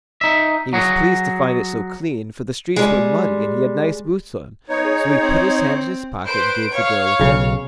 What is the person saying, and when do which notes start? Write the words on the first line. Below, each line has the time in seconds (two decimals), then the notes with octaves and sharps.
He was pleased to find it so clean, for the streets were muddy, and he had nice boots on; so he put his hand in his pocket, and gave the girl a penny.
0.21 D#4 E5
0.73 F#3 F#4 G#4
2.76 G3 G#3
4.69 B3 D#4 C#5
4.85 G#4
5.22 C4
6.27 B4 C5 D7
6.73 C#5 F5
7.19 B1 C#3